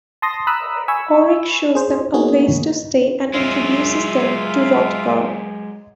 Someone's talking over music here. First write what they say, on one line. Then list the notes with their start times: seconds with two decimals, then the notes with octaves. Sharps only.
Orik shows them a place to stay and introduces them to Hrothgar.
0.22 A5 C6 D#6 A#6
0.47 A#5 B5 D#6 E6 F#6
0.88 G#5 B5 C#6 E6
1.75 G#4 C5
2.14 A#3 B3 D#4 F#4 G#4 C#5
3.33 F#3 G#3 F4 E5 F5